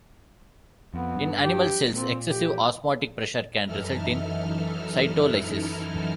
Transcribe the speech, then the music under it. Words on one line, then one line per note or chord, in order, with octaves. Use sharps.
In animal cells excessive osmotic pressure can result in cytolysis.
F2 B3
G2
G4
A#2 C4
G4
F#2 E3 D#4 E4 A4 F6